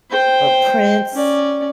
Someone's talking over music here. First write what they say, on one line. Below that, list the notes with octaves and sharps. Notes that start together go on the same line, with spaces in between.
or Prince,
C5 G5
C#4 D5